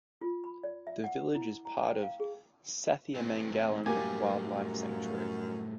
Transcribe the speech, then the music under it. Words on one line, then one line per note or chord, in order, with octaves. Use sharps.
The village is part of Sathyamangalam Wildlife Sanctuary.
F4
B5
D5
E5
F#5
E4
A#5
G5
F5
G#4
A2 E3 C4
F#2 A2 G3 A#3 G4 G#5